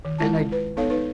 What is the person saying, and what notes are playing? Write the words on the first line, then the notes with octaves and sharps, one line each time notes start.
And I
D#3
G#3 E4 F4 A5
B4
B3 D#4 A4 C#5 F5
D#4 B4